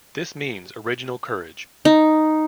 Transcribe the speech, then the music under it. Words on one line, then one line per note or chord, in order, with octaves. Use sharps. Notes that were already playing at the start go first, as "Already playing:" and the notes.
This means original courage.
D#4